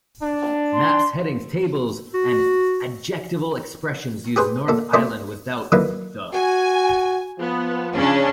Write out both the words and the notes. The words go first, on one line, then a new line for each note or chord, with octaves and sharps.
Maps, headings, tables and adjectival expressions use North Island without "the".
D4
C6
F#4
G4 G#4 B4 C5
A#2 A4
A#2 A3 C#4 C5 D5 D#5
D3 D#3 F#3 A#3 E4 B4
F#4 G#5
F3 B3
C#3 C#4 D4